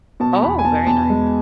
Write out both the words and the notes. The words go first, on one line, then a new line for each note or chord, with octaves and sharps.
Oh, very nice.
B2 A5
E2 B5
G#5
E2 A5
E2 A5
G#3